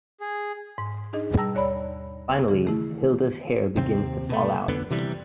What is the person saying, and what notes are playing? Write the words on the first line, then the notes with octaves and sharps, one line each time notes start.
Finally, Hilda's hair begins to fall out.
G#4
G#2
D4 D#4 G#4 D#5
B2 G3 A5 A#5 E6 A#6
D#2 C#5 D5 B5
C#3 E3 G#4
D#3 A3 E4
D#2 C3 C4
B2 A3
F2 D3 B3
C3 E3 G3